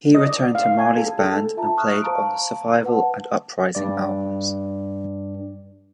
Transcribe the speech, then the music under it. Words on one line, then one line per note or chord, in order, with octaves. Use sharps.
He returned to Marley's band and played on the "Survival" and "Uprising" albums.
D#5
D5
F5
G#5
A4
A4
F4 E5 A5 A#5
C#6 D#6 F6 F#6
C5 F5 A5 A#5 C#6 D7
B4 F#5 A5
G2 D5